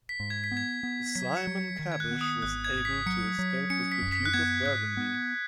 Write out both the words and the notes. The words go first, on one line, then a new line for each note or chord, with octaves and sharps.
Simon Caboche was able to escape with the Duke of Burgundy.
B6
G#2
G#6
B6
B3
G#6
B3
F#3 B6
C#7
F#3
C#7
D#3 B6
G#6
F#6
B3
F#6
D#6
G#1 F#6
G#6
G#1
B6
F#3 C#7
F#3
C#4 C#7
B6
F#2
B6
F#6
B3 G#6
G#2 F#6
B3